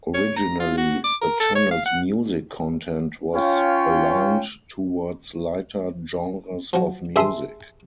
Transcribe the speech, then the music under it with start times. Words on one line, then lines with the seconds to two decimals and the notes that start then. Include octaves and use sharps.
Originally, the channel's music content was aligned towards lighter genres of music.
0.14 C#5
0.36 A#5
0.60 F4
0.78 F#4
1.04 D6
1.22 A#4
1.40 A4
1.55 C#5
1.71 F5
1.86 F#5
3.35 C#4 F4 C#5 F5 G5
6.73 F3 F#3
7.16 G2 G#4 E5 A5 C6 D#6